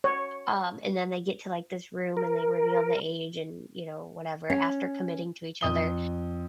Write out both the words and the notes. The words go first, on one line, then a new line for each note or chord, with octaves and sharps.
um, and then they get to, like, this room and they reveal the age, and, you know, whatever after committing to each other,
C#5
A#4
C#4
F2 D#6 G7